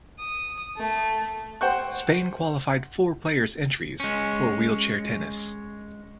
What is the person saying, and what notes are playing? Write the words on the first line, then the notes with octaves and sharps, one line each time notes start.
Spain qualified four players entries for wheelchair tennis.
D#6
A3
C5 F#5 G5 C#6 F#6
G#3 C#4